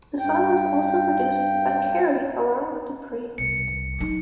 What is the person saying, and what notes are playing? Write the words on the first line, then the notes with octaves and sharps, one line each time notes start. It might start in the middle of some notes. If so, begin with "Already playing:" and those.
The song was also produced by Carey along with Dupri.
G2 G5
C2 C#7
F#3 D#4